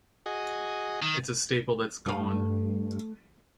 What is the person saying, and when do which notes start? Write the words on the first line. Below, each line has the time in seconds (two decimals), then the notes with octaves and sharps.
It's a staple that's gone.
0.26 F#4 G#4 D#5
1.02 D#3
2.06 G2 A3 F5